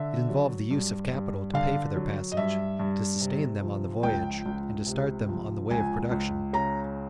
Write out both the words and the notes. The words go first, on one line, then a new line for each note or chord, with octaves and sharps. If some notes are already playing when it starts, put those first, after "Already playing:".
It involved the use of capital to pay for their passage, to sustain them on the voyage, and to start them on the way of production.
Already playing: D3 E5
F#3
G2
G2
D3 F5
F#3
D#5
G2 E5
G2
C3
F3
C#2 G5
C#2
C3
F3
C#2 G#5
C#2
C#3 A#5